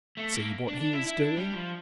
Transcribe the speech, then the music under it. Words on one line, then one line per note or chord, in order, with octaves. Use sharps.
See what he is doing.
A3
A#3
D4
D4
E4
E4
D4
G3
F3